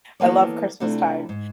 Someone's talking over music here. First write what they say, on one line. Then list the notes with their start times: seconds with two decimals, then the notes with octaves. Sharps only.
I love Christmas time.
0.20 E3 A#3 B3 A4 C#5 D5
0.80 C3 A3 D4 E4 F4
1.29 G#2